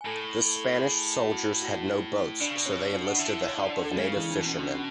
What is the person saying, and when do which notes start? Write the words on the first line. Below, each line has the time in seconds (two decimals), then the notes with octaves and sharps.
The Spanish soldiers had no boats, so they enlisted the help of native fishermen.
0.01 G#5
0.05 A2 A4 A5
0.45 A4 A5
0.84 G#4 G#5
1.23 F#4 F#5
1.62 F#4 F#5
2.40 B2 D4 D5
2.49 C#3
2.56 B2
2.66 C#4 C#5
2.92 D4 D5
3.07 F#5
3.18 D3 E4 E5
3.47 C#5
3.57 D4 D5
3.85 A4
3.96 C#3 G#3 G#4
4.12 D4
4.16 E3 E4
4.30 D4
4.35 B2 E3 E4
4.46 C#4
4.55 D4
4.75 C#4